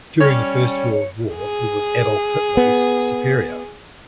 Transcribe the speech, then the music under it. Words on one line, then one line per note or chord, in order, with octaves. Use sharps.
During the First World War he was Adolf Hitler's superior.
G3 C#4 C#5
G#4
B3